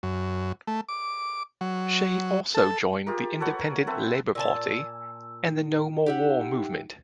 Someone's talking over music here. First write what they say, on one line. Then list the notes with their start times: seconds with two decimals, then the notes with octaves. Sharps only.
She also joined the Independent Labour Party and the No More War Movement.
0.03 F#2
0.67 A3
0.89 D6
1.61 F#3
2.55 A4
3.07 F4 G4 G#4 A#4
3.40 A4 B4 C#5 F#5
3.59 A#4
3.87 C4 A4 B4 E5
4.35 A#2 G#5 A5 E6
5.46 D#4
6.06 G4 E5 F#5